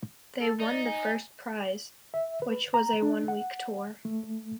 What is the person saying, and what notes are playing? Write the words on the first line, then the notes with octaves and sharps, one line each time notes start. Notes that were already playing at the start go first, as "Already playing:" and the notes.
They won the first prize, which was a one-week tour.
A4
D#4 D5
G#5
E5
B4
A#5
D4
F#5
A3